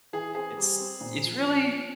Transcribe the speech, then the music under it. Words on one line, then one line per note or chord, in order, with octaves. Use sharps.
It's it's really
E3 G#4
C4 G#4
G3
C4
A#2
F3